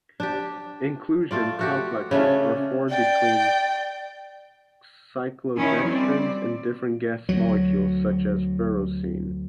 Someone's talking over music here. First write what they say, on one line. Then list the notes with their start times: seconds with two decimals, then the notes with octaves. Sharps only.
Inclusion complexes are formed between cyclodextrins and different guest molecules such as ferrocene.
0.20 D4 G4
1.31 A3 F4 D5
1.59 A3 F#4 G4
2.11 C#3 A3 C#4 D4
2.90 D5 G5
5.57 D#3 C#4 E4
5.86 G3 C4 D5
7.29 D2 F#3